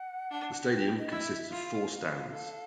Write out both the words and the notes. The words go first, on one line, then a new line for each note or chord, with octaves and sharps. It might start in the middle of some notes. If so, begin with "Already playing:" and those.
The stadium consists of four stands.
Already playing: F#5
D4
G5
D#5
E4
E5
F4 F5
A4